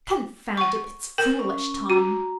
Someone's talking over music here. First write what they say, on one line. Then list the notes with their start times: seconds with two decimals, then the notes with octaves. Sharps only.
"Confound it, it's foolish, Tom."
0.57 F#5 C#6
1.18 A#4 G5
1.39 C#4
1.90 F#4 A#5